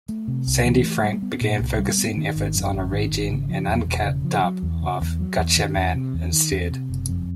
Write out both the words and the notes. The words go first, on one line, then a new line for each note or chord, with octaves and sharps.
Sandy Frank began focusing efforts on arranging an uncut dub of Gatchaman instead.
A3
C3
C2
E3
A3
G3
B3
A#2
C2
G3
B3
D#3
G#1
F#2
G#1
D#3
G#1
C#3
F3
E2
E1
C#3
F3
F#3
E2
C#3
E2
F#3
E2
D#3
E2
C3
E2
D#3
E2
C3
F#1
F2